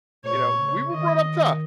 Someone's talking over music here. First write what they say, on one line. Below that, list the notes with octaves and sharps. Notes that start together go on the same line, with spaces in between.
You know, we were brought up tough,
A#2 C#5
C#3
D#3 D#5